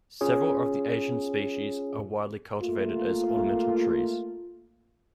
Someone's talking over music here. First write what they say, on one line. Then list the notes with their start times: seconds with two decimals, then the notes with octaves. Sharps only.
Several of the Asian species are widely cultivated as ornamental trees.
0.21 C#4 F4 G#4 C#5
2.62 A3 A#3 F4